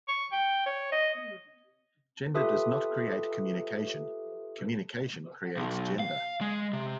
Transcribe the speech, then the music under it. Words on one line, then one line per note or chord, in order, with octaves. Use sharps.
Gender does not create communication, communication creates gender.
C#6
G5
C#5
D#5
F4 G4 A4 B4 E5 D#6
B1
F5
G#3
C3